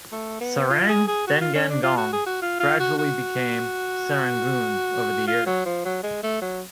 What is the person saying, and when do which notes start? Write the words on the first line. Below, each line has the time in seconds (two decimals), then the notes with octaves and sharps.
"Serang dengan gong" gradually became Serangoon over the years.
0.12 A3
0.40 B3
0.70 F4
0.89 G#4
1.08 G#4
1.27 F#4
1.41 F4
1.55 C#4
1.70 D4
1.83 F4
1.98 F#4
2.13 G#4
2.26 F#4
2.42 F4
2.60 F4
2.80 F#4
2.98 F#4
5.27 F4
5.46 F#3
5.66 F3
5.85 F#3
6.03 G#3
6.23 A3
6.42 F#3